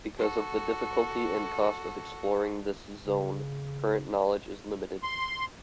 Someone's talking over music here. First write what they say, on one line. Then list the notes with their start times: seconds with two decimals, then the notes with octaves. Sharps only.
Because of the difficulty and cost of exploring this zone, current knowledge is limited.
0.17 F#4 A4
3.03 C#3
5.03 C6